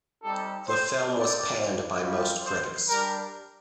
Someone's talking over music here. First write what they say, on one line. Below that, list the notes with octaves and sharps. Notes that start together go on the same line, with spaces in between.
The film was panned by most critics.
G3 C4 D#4 G4 A4
C5
C4 D#4 G4 D5
G3 C4 F4
C5
G3 D4 G4 A#4